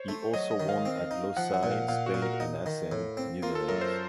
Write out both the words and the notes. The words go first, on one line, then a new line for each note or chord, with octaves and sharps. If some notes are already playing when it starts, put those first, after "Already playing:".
He also won at Losail, Spain and Assen, Netherlands.
Already playing: C5 C#5
A3
F#3 D#5
D#5
D#3
F5
C4
D#4
F3 F#5
F#5
A#2
F5
A#2 F5
F#4
A#2
A#4
D#4
D#3
A2
C4
A#3 F4
A4
F#2 A#4
C5